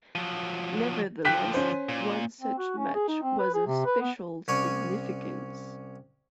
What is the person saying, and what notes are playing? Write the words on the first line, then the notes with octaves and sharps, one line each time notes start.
Nevertheless, one such match was of special significance.
F3 F#3
D3 F3 G5 F#6 B6
C#4 C5
A#2
C4
F#4
C#4
G#4
D#4
C4
B4
G#4
C3
B4
B3
C2 C#4 C#5 D5 G#5